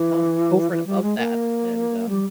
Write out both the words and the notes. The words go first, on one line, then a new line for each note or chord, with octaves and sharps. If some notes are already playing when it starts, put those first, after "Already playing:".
um, over and above that and, um
Already playing: E3
E3
G3
G#3
A#3
G3